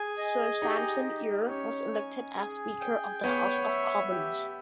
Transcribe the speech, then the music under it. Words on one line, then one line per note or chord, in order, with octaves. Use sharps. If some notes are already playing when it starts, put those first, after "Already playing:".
Sir Sampson Eure was elected as Speaker of the House of Commons.
Already playing: G#4 G#5
D#5
D#4 G4
G4
C#4 C#5
G#5
G#4
G5
B3 C#5
E5
G4